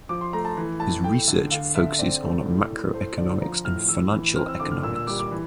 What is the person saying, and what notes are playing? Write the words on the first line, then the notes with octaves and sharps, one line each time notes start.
His research focuses on macroeconomics and financial economics.
F3 D6
C6
A3 A#5
A5
E3
A2 A5
A3 G5
D3
D3 F5
D3 E5
C4 D5
A3
A2
A2
A3 C5
D3 D5
F3 A#5
A2 F6
E3 E6
E3
C4 F6
E6
D3 D6
F6
A#2 E6
E6
G3 D6
D6
E3